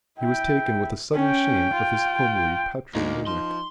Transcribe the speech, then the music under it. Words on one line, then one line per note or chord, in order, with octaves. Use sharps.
He was taken with a sudden shame of his homely patronymic.
E4 G5
C#4 G5
F4
D2 A#3 D#4
F3 C6